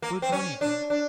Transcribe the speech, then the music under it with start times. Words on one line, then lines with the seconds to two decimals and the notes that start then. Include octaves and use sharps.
Good money, Gregg.
0.02 A#3
0.22 C4
0.32 C#4
0.61 D4
0.90 D4